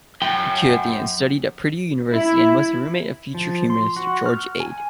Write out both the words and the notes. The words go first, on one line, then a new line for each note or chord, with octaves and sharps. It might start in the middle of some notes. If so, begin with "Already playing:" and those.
McCutcheon studied at Purdue University and was a roommate of future humorist George Ade.
F#2 G5
E4
F3
C6
F#4
F6
G#5